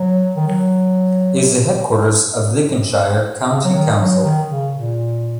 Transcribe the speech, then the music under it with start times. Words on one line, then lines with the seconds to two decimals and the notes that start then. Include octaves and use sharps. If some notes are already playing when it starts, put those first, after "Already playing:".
It is the headquarters of Lincolnshire County Council.
Already playing: F#3
0.36 D#3
0.48 F#3
3.49 C#3
3.64 F#3
3.74 D#3
3.99 F#3
4.24 D#3
4.50 C#3
4.74 A#2